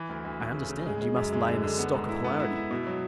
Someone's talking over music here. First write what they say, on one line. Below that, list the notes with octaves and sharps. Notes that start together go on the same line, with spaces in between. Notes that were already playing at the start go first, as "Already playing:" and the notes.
"I understand; you must lay in a stock of hilarity."
Already playing: E3
D2
D2
D2
C#3
C#3
G#3
G#3
F#2
G#3
D3
D3
B3
G#2
E4
B3
E4
E4
B2
F#3